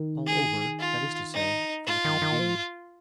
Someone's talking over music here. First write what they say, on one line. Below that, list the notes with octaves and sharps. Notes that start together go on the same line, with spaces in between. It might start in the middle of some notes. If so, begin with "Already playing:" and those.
All over, that is to say, for the time being.
Already playing: D#3
G#4
F4
D#4
F4
D#3
D#3
F3